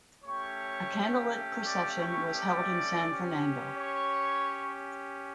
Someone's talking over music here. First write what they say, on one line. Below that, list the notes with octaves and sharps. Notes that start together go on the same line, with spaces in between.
A candlelit procession was held in San Fernando.
A3 C#4 G4 C#5 C#6
D5 D6
C#5 C#6
D5 D6
C#4 G4
C#5 C#6